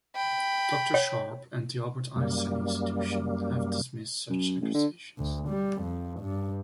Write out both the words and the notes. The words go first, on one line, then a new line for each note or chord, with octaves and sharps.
Doctor Sharp and the Albert Einstein Institution have dismissed such accusations.
G5 B5
C#5
F#2 G3 A#3
F#2
A1
D3
D2
G3
F2
G2